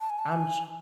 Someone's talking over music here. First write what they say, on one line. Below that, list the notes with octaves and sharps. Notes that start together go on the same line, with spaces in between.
I'm tr
A5
G#5
A5
G#5